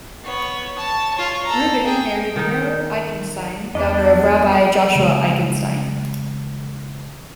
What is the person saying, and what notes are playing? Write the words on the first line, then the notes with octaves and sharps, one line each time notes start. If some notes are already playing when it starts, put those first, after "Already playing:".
Rubin married Mirl Eichenstein, daughter of Rabbi Joshua Eichenstein.
B3 C#5
C#5 A5
F4 C#5
A4 A#5
G#4 G5
D#3 D#4
E2 B3 D4 B4 D#5
C#3 E3 G#3 C4